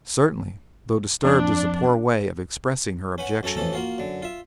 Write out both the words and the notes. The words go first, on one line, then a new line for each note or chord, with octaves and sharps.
"Certainly--though 'disturbed' is a poor way of expressing her objection."
F2 D4
C#4 B4 F#5
F#2 C#4 A4 A#5
A1 F2 E3 C#4 A4
A#3 F4 F#4
F#2 D3
F4 E5